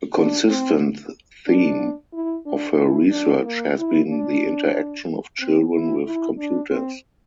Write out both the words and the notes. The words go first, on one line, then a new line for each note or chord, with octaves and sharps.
A consistent theme of her research has been the interaction of children with computers.
D4
C4
D4
E4
D4
E4
D4
A#3
E4
D4
C4
E4
E4
D4
C4